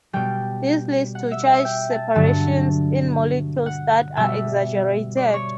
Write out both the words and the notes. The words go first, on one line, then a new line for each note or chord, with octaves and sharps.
This leads to charge separations in molecules that are exaggerated.
B2 G3 G5
F#5
E5
E5
G5
A5
G2 D3 F#3 A5
F#5
B2 G3 E5
D5
C#5